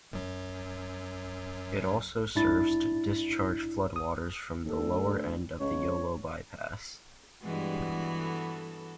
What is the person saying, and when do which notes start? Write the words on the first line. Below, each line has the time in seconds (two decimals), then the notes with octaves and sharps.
It also serves to discharge floodwaters from the lower end of the Yolo Bypass.
0.13 F#2 F#3
2.35 G#2 D4 E4 A6
3.96 D#6
4.65 D#2 A4
4.79 D2
5.60 C#2 C#5
7.42 G2 E3 G#3 B3 F#4
8.14 A4